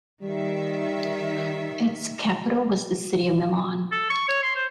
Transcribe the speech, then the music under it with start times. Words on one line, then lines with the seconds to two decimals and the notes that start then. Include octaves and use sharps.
Its capital was the city of Milan.
0.23 D#3 G3 E5
3.92 A4
4.10 C#6
4.28 C#5
4.43 C6
4.56 C5